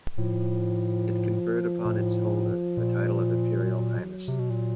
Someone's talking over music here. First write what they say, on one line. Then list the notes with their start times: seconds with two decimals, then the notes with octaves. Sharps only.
It conferred upon its holder the title of "Imperial Highness".
0.18 A2 F3
1.85 A#2
1.91 A2
2.77 A#2
3.63 F#3
4.28 C3
4.39 B2
4.50 A#2